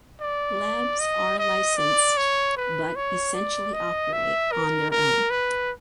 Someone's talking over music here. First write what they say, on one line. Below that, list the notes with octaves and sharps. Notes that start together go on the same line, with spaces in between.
Labs are licensed but essentially operate on their own.
D5
D#5
D#5
D5
C#5
B4
C#5
D5
D#5
E5
A#4
A#4
B4